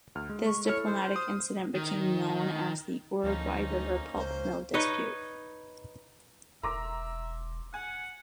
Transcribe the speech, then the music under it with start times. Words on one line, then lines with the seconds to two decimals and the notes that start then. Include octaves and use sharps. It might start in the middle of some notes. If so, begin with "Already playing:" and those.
This diplomatic incident became known as the "Uruguay River pulp mill dispute".
0.15 D2 F6
0.29 G#3
0.46 C#6
0.65 E4 A4 C#5 F6
0.85 C5
1.16 D#6
1.75 D#3
3.23 D2 F3 A#3 C#4 D#4
4.15 C#2 C5
4.74 D#4 B4 C#5 D#5
6.63 E1 E5 A#5 C6 D6 A#6
7.74 F#5 G#5